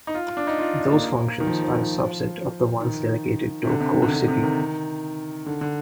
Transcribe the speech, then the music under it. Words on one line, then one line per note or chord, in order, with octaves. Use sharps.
Those functions are a subset of the ones delegated to a core city.
D#4
F4
D4
D#4
F4
D4
A#3
D#3
F3
D#3
C3
D3
C3
D#3
D3
D3
C3
D#3
D3
D3